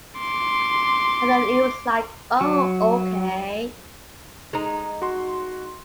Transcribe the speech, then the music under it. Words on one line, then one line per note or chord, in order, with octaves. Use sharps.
And then it was like 'Oh okay.
C6 D6
F#3
G#3 D#4
F#4 C6